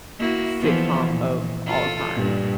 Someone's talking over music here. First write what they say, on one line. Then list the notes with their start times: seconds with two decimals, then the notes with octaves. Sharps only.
sitcom of all time.
0.19 A#3 E4 F#4
0.59 E3 F3 B3
1.10 A#2
1.66 F4 A4
2.15 G2 A#2